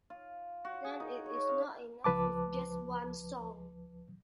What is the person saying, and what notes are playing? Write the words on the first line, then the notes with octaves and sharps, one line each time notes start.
Then it is not enough with just one song.
F4
F#4
G#4
D#4
C#5
F5
C#2 F3 B4 A5 D6